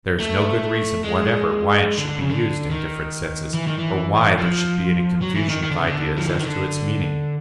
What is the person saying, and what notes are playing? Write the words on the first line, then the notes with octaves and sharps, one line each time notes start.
There is no good reason whatever why it should be used in different senses, or why there should be any confusion of ideas as to its meaning.
A3
G#3
D3
D3
C#3
D3
D#3
E3
D#3
E3
F3
F#3
E3
D#3
D#3
D3
C#3
D3
F3
E3
D#3
D3